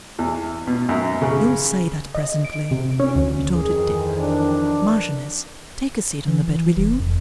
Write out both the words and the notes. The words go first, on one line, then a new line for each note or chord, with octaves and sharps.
'You'll say that presently,' retorted Dick. 'Marchioness, take a seat on the bed, will you?
E2
B2
F#2
C#3
D#5
D7
C3
C#4
D2
F2 D#3 E3 G#4
D4
E3
F1
F2